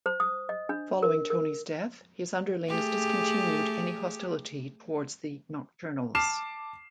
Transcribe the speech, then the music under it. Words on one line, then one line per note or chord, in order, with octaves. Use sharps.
Following Tony's death, his underlings discontinued any hostility towards the Nocturnals.
C5
D#6
D#5
D4
A#4
A#4
A3 G4 G#4
A5 D6 F6 C7 E7